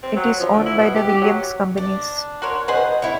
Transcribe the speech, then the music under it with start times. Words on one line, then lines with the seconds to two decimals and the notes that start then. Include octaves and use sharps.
It is owned by the Williams Companies.
0.03 C4
0.16 F#3
0.40 F3
0.53 D3
0.66 E4
0.78 B2
0.95 G4
1.09 G4
1.22 F#3
1.77 D4
2.42 F#4 A#4 C#5 C6
2.68 G#4 B4 C5 D#5 F#5
3.02 E4 C#5